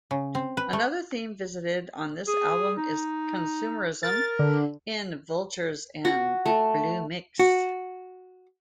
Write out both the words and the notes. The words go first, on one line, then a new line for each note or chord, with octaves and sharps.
Another theme visited on this album is consumerism in "Vultures" and "Blue Mix".
C#3
C4
B4
A3
G#4
D#4
A#4 A6
D3
F#4
A3
F#4